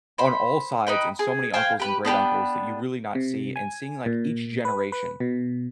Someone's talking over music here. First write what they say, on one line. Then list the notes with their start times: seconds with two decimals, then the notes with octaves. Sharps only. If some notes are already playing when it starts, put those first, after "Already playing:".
on all sides, and so many uncles and great-uncles that you really not see, and seeing, like, each generation
0.18 C5 B5
0.87 D#4 B4 G5
1.19 G#4
1.54 C5 F5 G5 G#5
1.80 G4 B4
2.05 B3 D4 G4 B4
3.15 C3
3.56 G#5
4.06 A#2
4.65 B4
4.92 B4
5.20 B2